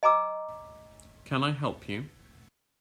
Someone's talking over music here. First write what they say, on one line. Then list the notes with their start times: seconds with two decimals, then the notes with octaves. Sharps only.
Can I help you?
0.03 D#5 G#5 A#5 D6 E6